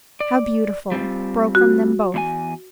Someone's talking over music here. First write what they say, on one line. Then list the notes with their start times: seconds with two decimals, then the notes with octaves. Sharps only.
'How beautiful!' broke from them both.
0.20 D5
0.92 G3 C4 F4
1.55 F#4
2.14 E2 E4 G#5